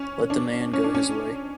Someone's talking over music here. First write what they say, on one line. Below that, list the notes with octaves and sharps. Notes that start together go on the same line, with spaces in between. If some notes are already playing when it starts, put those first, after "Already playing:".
Let the man go his way'.
Already playing: C#4
D4
C#4
D4
C#4